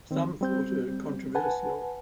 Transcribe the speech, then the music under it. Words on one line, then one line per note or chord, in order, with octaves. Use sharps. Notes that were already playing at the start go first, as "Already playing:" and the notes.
Some thought her controversial.
D#3 C4
G3 C4 G6
B4 F#5 G#5 A5